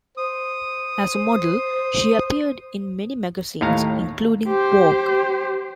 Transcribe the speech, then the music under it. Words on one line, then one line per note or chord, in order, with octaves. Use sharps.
As a model, she appeared in many magazines including "Vogue".
C5 D#6
D#2 A2 F5 A#5
G4 C5